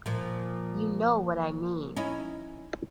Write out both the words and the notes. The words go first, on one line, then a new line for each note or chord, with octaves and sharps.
You know what I mean.
A#2 F3
C#4 D#4 E4